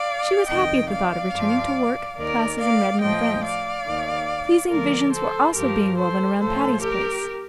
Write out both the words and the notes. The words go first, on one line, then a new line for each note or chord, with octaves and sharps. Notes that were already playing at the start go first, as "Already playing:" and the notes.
She was happy at the thought of returning to work, classes and Redmond friends. Pleasing visions were also being woven around Patty's Place.
Already playing: D5 F5
F2 C3 D#3 D#5 G5
D5 F5
G2 F3
D#2 D#3 A#4 D5
D5 F5
A2 F3 D#5 G5
D5 F5
D#2 D#3
D2 D3 F3 A#4 D5
A4 C5
G2 F3 G4 A#4
A4 C5
A2 F3 A4 C5
G4 A#4